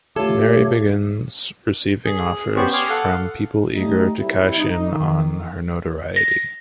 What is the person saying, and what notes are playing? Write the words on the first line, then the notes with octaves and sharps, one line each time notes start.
Mary begins receiving offers from people eager to cash in on her notoriety.
A3 F4 G4 A4 C#5
G#4
B3 C#4 G4 C5 D5 C#6
G#5 C6 D6 D#6 F6
A4 F5 F#5
G3 A3 D#4
C3 G3 E4
D#4
D#3
A#6